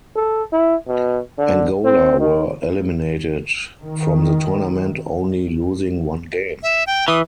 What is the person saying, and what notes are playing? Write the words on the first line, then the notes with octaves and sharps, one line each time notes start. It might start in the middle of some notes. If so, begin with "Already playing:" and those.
Angola were eliminated from the tournament only losing one game.
A4
E4
B2
D3
C4
D#3
D#3
E5
G5
E3 D#6